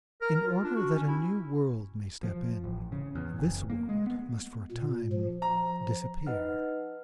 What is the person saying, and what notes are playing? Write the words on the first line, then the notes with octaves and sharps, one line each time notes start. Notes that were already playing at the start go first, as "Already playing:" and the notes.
In order that a new world may step in, this world must for a time disappear.
A#4
A#4
F4
D4
F#4
C#4
E4
F3
A1
C#3
E2
F#1
A#3
G#3
B3
A#2
F3
A#5
D#4 B4 D#5 F#5 F6